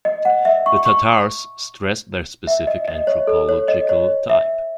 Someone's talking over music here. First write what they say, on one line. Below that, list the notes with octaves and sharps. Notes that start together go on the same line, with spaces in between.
The Tatars stress their specific anthropological type.
D#5
F#5
E5
C#6
C#6
E5
D#5
D#5
C#5
A4
C#5
D#5
C#5
E5